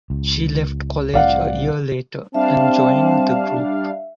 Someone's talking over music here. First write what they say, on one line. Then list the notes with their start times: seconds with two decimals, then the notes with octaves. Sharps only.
She left college a year later, and joined the group.
0.10 C#2
1.14 C2 A2 C3 D5 F5 F#5
2.34 G3 C4 D4 E5 F5 A5